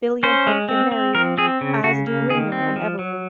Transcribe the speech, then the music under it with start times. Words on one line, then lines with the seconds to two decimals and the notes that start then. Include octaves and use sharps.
Billy and Hope get married, as do Reno and Evelyn.
0.23 C#4 C5
0.47 G#3
0.69 C4
0.92 C4
1.15 F3 A#4
1.38 C4 G#4
1.61 C#3
1.84 C#3 F#4
2.07 A#3
2.29 D#3 G#4
2.52 C4
2.76 F3
2.99 F#3